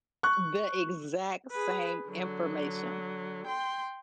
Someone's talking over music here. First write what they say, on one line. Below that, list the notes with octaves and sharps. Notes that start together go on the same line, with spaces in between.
The exact same information.
C#6 F#6
G#4 B4
D3 F#3
G5 C6